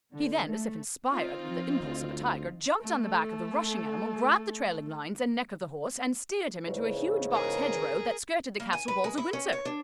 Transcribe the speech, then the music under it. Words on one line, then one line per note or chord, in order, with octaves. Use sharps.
He then, as if inspired with the impulse of a tiger, jumped on the back of the rushing animal, grabbed the trailing lines, and neck of the horse, and steered him into a huge box hedge row that skirted the castle walls of Windsor.
D3
A3
C4 D#4 F4
F3
D2
A3 A4
E2 G#2 C#3
G#4 A#4
A#3
G#5
B4
G#3
E4
C#4
C#5
D4